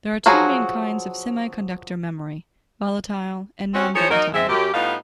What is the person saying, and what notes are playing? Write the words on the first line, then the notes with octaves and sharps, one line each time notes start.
There are two main kinds of semiconductor memory, volatile and non-volatile.
F3 F#3 F#4 G#4 A#5
C4 C#4 F#4
F3 D#4 G#4 C5 C#5
F#3 D#4 A#4
G#3 C4 E5
F#2 G4
A2 G3 B3 D#4 F4 F5